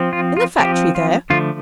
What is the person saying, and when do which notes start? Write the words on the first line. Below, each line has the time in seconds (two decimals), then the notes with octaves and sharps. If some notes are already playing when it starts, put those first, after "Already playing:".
In the factory there?'
Already playing: F3 C4
0.13 F4
0.37 F4
0.59 F3 C4 G4
0.95 F4
1.30 D3 F3 A3 F4